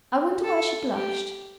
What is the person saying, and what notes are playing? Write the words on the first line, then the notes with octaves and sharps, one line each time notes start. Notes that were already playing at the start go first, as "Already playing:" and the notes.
I wonder why she blushed.
A4
G4